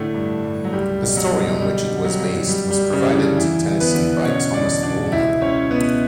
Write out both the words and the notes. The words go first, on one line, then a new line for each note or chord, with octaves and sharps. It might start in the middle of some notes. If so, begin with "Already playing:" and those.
The story on which it was based was provided to Tennyson by Thomas Woolner.
Already playing: A2 D3 A3
G2
G2
F#3
C#2 G3
B2
F#3
B2
D3 G3
D3
F#3
G3
F#2 F#3
F#2 G3
G3
F#2
C#3 C#4
E3
D3 D4
E2 E3 E4
D3
B3 B4
D3
B2 C#4 C#5
E2 D4 D5
B2 D4 D5
C#2 E4 E5
C#2 C#4 C#5
B2 B3 B4